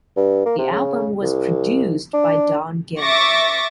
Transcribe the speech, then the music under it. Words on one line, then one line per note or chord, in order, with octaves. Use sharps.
The album was produced by Don Gehman.
G2
A#3
C3
C#3
C2
D4
E5 C#6 D6 A6 A#6